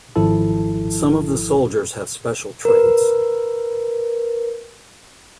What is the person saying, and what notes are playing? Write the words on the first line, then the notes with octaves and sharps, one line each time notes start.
Some of the soldiers have special traits.
G#1 F3 E4 A4 A5
A#4 B4